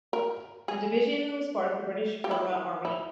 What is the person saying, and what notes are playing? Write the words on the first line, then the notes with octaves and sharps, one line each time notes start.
The Division was part of the British Burma Army.
A#4
G#4
G4
E4
E4